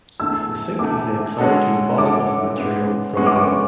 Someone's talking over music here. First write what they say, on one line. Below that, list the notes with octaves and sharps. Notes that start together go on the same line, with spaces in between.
The sink is then clamped to the bottom of the material from below.
E2 D3 A3 E6
E2 D3 A3 D6
D3 G#3 C#4 F#4 A4
D3 G#3 C#4 F#4 A4 D6
C#3 G#3 B3
C#3 G#3 B3 C#6
D6
C#6